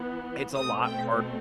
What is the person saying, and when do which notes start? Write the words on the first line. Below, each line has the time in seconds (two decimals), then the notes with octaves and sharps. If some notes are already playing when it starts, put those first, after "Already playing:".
it's a lot harder
Already playing: E3 B3
0.54 B2 A3 C4 D#6
0.86 G5